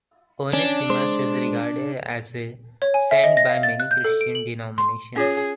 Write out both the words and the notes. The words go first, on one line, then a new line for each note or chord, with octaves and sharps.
Onesimus is regarded as a saint by many Christian denominations.
C#4 D4
G#3 C5
C#5
G#5
E5
D#5
A#6
F5
A6
F#6
G6
A4
D7
F#7
C6
C#4 F4 G#4 C#5